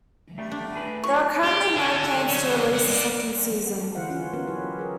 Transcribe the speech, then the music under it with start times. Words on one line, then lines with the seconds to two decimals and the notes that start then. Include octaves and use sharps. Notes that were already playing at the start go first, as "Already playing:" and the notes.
There are currently no plans to release the second season.
0.38 G2 G3 A3
0.51 D4
0.75 G#4 B4
1.04 A2 F#3 C#6
1.43 G4
1.76 D4 A4
2.28 D3 C#4
2.72 C2 F#5
2.91 D5 F5
3.95 D3 E3 E4 C5 F5 F#5
4.09 C#4 E4 F4
4.33 B3 C#4 F4 F#4 A#4 B4
4.47 F#3 E4 G4 B4 C#5
4.79 G#4 A#4